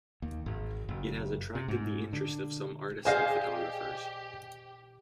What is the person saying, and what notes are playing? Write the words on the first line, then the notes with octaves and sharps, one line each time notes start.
It has attracted the interest of some artists and photographers.
D#2
G#1
F#1
C3
G#2
D3
G4 G#4 C5 D5 D#5 F5 G#5